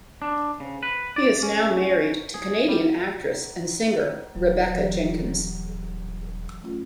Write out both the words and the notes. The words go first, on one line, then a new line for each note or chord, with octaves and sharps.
He is now married to Canadian actress and singer Rebecca Jenkins.
D4
C#3
B4
D5
C#4
G#4
G3
D#1 F#3
E3 F#3 G4
A3 C#4 F4